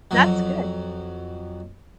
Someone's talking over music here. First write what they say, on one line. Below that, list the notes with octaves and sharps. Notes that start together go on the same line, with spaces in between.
That's good.
F2 F#3